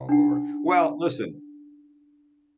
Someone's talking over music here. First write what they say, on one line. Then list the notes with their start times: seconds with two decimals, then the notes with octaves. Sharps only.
lord well, listen.
0.09 D4 D#4 F#5